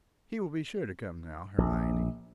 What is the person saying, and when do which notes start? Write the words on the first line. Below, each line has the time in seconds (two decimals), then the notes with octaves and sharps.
"He will be sure to come now, Hermione."
1.58 A#1